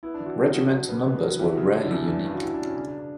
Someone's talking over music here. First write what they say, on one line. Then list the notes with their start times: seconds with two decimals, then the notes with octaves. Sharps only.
Regimental numbers were rarely unique.
0.03 B3 E4
0.14 D4
0.20 E3
0.26 F#4
0.37 G3
0.44 A#4
0.48 G4
0.54 B2
0.60 F#4
0.71 F#3 D4
0.88 C#3 B4
1.06 B3
1.17 A#4
1.23 F#3
1.28 B4
1.39 E3 G4
1.51 F#4
1.57 C#3 E4
1.73 D3 D4
1.85 E4
1.91 E2
1.97 D4
2.08 E3 D4
2.17 C#4
2.25 G2 D4
2.34 F#4
2.42 G3 E4
2.54 D4
2.59 B2
2.65 C#4
2.76 C#3 D4
2.87 D4
2.98 D4